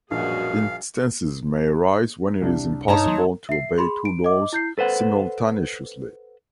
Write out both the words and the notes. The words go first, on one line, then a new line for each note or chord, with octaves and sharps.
Instances may arise when it is impossible to obey two laws simultaneously.
A#1 F#2 B2 G3 A#3 F#4 G#4 F5
C2 D4
G2 D#4 C#5 A5 A#5
F#3 C6
E5 C7
G#4 B5 C6
D7
D#5 D6
E4 G6 C7
A4 B4 C5 F#5